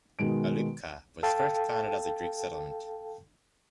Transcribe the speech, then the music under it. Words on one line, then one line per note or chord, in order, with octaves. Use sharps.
Alupka was first founded as a Greek settlement.
B2 D#3 G#3 D7
A4 F5 G5 A5